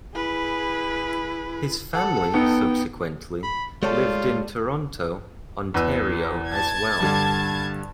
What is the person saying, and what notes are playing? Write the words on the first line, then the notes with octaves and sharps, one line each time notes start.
His family subsequently lived in Toronto, Ontario as well.
E4 G#4 B4
A4 F#5
B3 D#4 G5 C#7
B5
G3 G#3 F4 A4 C#5
E2 B4 E6
A5 G#6
G2 D3 G3